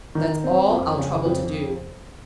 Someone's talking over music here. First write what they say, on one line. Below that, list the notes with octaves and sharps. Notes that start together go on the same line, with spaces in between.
That's all I'll trouble to do.
D#3
C4
F2
C#3
F2